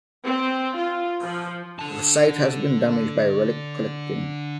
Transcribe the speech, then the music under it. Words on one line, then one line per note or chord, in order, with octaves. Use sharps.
The site has been damaged by relic collecting.
C4
F4
F3
D3 A5